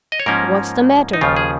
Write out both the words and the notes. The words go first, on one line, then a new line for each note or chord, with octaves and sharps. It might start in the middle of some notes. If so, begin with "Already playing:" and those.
What's the matter?'
D#5
C#5
G#2 F3 A#3 C#4 A#4
D#4
D#2 C#3 F3 F4
G#4